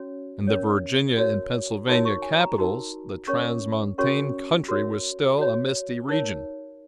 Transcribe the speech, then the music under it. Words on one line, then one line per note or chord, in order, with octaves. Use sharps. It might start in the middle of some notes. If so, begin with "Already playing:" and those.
In the Virginia and Pennsylvania capitals, the transmontane country was still a misty region.
Already playing: C#4 F#4 C#5
C#4 A#4 C#5
F#4 A#4 C#5
D#4 F#4 A#4 C#5 D#6
C#6
G#5
A#5
D#4 F#4 A#4
C#4 A#4 C#5 C#6
C#4 F#4 A#4 C#5 C#6
F#4 A#4 C#5
F#4 C#5
D#4 A#4 C#5 D#6